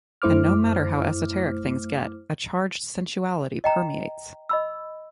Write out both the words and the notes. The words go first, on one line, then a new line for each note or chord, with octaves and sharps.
And no matter how esoteric things get, a charged sensuality permeates.
F#2 A3 E4 C5 D6 F6
D#5 G5 A#5
D#5 B5 E6